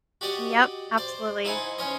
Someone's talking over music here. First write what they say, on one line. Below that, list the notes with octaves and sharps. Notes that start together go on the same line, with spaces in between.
Yep, absolutely.
F#4 G4 D5 D#5 F#5
C5 D5
D#4 E4 C5 F#5 G#5 C6
C#4 C5 C#5 D#5